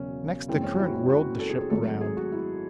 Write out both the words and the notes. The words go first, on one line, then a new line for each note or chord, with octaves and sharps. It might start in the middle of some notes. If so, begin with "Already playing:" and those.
Next the current whirled the ship round.
Already playing: E1 C#3 F#3 C#4
F#1 F#2 E3 G#3 C4
C#4
F#4
E4
F#4
A4
G#4
G#4
G#1 G#2 F#3 A3 A4
G#4
F#4
E4